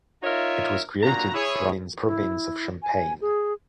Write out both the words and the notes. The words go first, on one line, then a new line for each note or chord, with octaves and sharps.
It was created from the province of Champagne.
D#4 F4 A#4 C#5 D#5 E5
G2 A#2 F#4 A#5
E4 G#4 C#5
E4
G#5
G#4